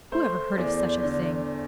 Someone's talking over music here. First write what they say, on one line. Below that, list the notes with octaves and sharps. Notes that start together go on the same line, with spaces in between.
Who ever heard of such a thing!
A3 C5
E2 D5
D3